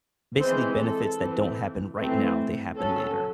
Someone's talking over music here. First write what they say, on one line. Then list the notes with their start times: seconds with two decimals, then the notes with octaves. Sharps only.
basically benefits that don't happen right now, they happen later.
0.38 E3 G#3 C4 C5
0.78 A4
1.18 E3 C4
1.97 E3 A3 C4
2.77 F#3 C#4 A4